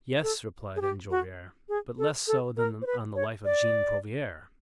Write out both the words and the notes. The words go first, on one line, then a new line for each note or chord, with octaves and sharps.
"Yes," replied Enjolras; "but less so than on the life of Jean Prouvaire."
A4
G#4
G4
F#4
G#4
A4
A4
A#4
C5
B4
C#5
D5